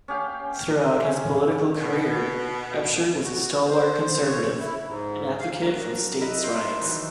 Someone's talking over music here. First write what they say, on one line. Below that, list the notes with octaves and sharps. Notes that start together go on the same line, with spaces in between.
Throughout his political career, Upshur was a stalwart conservative and advocate for states' rights.
C#4 G4 F5 G5
C#5 G#5
B2
F#4
C5
C#5
E4
G#2
F5
F#3 D4 A#4
E4 A#4 B4 D#5
C5
D#3 E3 F#3